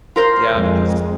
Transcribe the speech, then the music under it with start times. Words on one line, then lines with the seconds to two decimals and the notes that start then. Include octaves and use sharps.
Yeah, because
0.16 F4 A#4 C5
0.53 F2 G#3